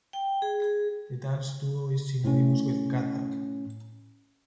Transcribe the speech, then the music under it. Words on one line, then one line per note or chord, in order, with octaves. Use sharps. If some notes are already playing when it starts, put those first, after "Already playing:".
The dance duo is synonymous with Kathak.
G5
G#4
G#4
A2 C#4